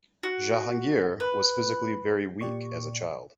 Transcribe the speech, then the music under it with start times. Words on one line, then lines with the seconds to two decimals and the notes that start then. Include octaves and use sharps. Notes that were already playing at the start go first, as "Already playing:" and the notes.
Jahangir was physically very weak as a child.
0.23 F#4
1.20 B4
2.41 A#2 G4 D5 C#6